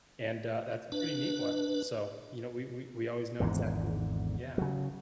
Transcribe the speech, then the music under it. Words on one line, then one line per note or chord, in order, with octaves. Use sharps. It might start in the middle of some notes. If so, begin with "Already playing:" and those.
and, uh, that's a pretty neat one. So, you know, we we we always know exactly Yeah.
D4 B4
G#1 E2 G#2 D3
C#3 F#3